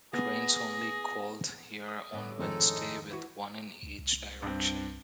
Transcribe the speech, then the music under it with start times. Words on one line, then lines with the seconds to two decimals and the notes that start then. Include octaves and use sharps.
Trains only called here on Wednesday with one in each direction.
0.13 B3 G#4 A#6
1.89 D#6
2.13 A2 D3 B3
2.39 F2 G#2 D#3 G#3 D#4 A4
3.10 E3 E4 F#4
3.83 C#2
3.99 C2
4.42 G2 C4